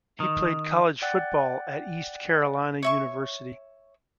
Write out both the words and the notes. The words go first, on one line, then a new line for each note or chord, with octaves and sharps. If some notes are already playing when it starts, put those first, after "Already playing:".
He played college football at East Carolina University.
D#3
D5 F#5 G5 F#6 A6
C#5 E5 C#6